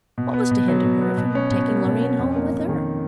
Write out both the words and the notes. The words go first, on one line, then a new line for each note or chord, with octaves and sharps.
What was to hinder her from taking Loreen home with her?
B2
B3
B2
F#3
B2
B3
B2
C#4
B2
A#3
B2
C#4
F2
A#3
F2
D#3